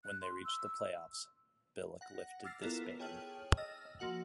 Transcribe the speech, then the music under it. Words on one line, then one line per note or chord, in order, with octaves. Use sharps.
When they reached the playoffs, Billick lifted this ban.
F#6
C6
E6
F#5 A#6
D6 E6 F6 A6 A#6 C7
B3 E4 F4 A4 A#4
G#4 C#5 G5 A5 F6 F#7
D#5 E6 F6 A6 A#6
F3 A#3 F#4 F#5 F#7